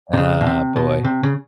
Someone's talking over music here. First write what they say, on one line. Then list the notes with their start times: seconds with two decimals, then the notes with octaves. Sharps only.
Oh boy.
0.13 C3
0.17 C#3
0.41 B2
0.46 C3
0.76 B2
1.04 C3
1.23 C#3